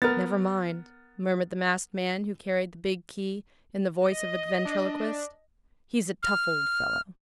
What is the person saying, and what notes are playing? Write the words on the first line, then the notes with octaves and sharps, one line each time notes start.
"Never mind," murmured the masked man who carried the big key, in the voice of a ventriloquist, "he's a tough old fellow."
B3 A#4 F6 A6
D#5
D4
F6